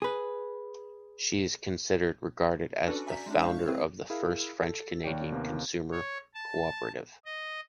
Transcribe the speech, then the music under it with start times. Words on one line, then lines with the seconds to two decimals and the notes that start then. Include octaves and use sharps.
She is considered/regarded as the founder of the first French-Canadian consumer cooperative.
0.02 G#4 B4
2.87 C#4 D4 F#4 A4 B4 D5
3.07 D5 E5 G#5 A#5 G6 B6
3.26 G#3 C#4 D4
3.42 C5 F5 C#6
3.68 C4 E4 G#4 B4
4.10 E4 G#4 A#4 F5
4.60 A4
5.04 D#2 C#5 D5 G5
5.32 D#2 C3 A#3 B3
5.92 C#5
6.35 A5
7.25 D#5